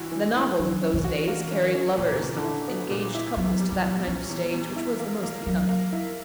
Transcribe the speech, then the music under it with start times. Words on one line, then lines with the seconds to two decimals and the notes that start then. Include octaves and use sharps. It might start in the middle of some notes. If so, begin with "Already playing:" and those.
The novels of those days carried lovers and engaged couples to that kind of stage which was the most becoming.
Already playing: G2 E3 F#4
0.12 E3
0.36 E3
0.58 D3 F#3
0.82 C#4
0.94 E3
1.04 F#4
1.28 A#3
1.51 C#4
1.75 C#4
1.97 A#2 E3
2.11 D3
2.21 A#2 C#3
2.36 D3
2.44 E4
2.68 B3
2.91 A#2
3.14 E4
3.36 E2 F#3
3.60 G3
3.72 F#3
3.83 E2
4.07 E3 C#4
4.30 E2
4.53 E2
4.76 E4
4.99 A#3
5.23 A#3
5.46 F#3 A#3
5.69 A#3
5.92 E4